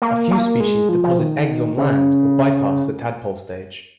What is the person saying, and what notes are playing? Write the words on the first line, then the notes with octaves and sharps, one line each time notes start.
A few species deposit eggs on land or bypass the tadpole stage.
A#3
A#3
G#3
F3
F3
D#3
C#3